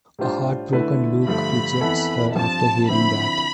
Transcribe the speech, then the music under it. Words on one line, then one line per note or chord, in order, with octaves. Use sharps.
A heartbroken Luke rejects her after hearing that.
A2 G3 D4 F4 C5
D3 A3 E4 B4
G2 D3 F3 A3 B5
F2 E3 B3 E4 A4
G2 F3 C4 A5
D3 F3 C4 E4 B5